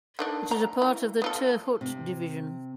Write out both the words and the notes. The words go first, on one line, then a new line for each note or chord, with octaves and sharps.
It is a part of the Tirhut Division.
D3 D#3 D4
A#5
E3
B3 F4 A4
C3